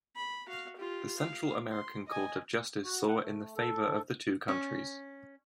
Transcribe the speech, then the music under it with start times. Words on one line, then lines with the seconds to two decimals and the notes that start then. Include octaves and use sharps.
The Central American Court of Justice saw in the favor of the two countries.
0.16 B5
0.47 F#4 F5
0.76 F4 G4
1.17 F5
1.71 C6
2.07 D#5 G#5
2.85 F#4
3.08 F#5
3.21 A3
3.56 A4
4.48 C#4